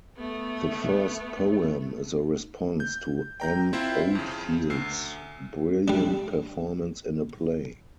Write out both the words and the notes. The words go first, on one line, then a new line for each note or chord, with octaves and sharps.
The first poem is a response to Anne Oldfield's brilliant performance in a play.
A3 B3
G6
G5 A#5 G6
C4 E4 F4 C5 E5 G5
F2 C#3
D2 E6 C7
G3 D4